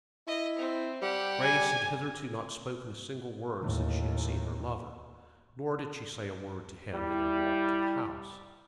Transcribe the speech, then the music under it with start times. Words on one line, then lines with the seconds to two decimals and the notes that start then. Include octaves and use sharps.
Grace had hitherto not spoken a single word since she had seen her lover, nor did she say a word to him in their walk to the house.
0.27 E4 D#5
0.58 C4
1.02 G3 G4 F#5
1.42 G#5
3.62 D#2 A2
6.93 G3 E4